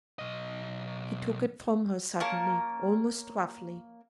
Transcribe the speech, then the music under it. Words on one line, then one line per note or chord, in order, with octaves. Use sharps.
He took it from her suddenly, almost roughly.
B1 D#5
A#3 C#4 A#4 A5